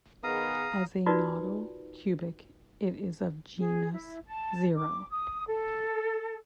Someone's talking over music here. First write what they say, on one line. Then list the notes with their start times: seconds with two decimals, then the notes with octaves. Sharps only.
As a nodal cubic, it is of genus zero.
0.24 D#3 B3 G#4 F5 A#5 D#6
1.06 D#4 F4 F#4 A#4 B4 D5
3.58 G#4
3.92 E4
4.27 A5
4.76 D6
5.10 D#6
5.47 A4